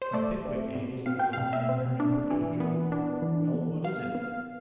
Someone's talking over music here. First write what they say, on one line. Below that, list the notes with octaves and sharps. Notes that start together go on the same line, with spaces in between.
'From Pickwick, eh?' said the little man, turning quickly to Job. 'Well, what is it?'
C5
A3 D5
C4
B2
C4 F5
G5
F5
B2
E5
C4
D4
E3
B3
D4
E3
B3
B3 F5
B3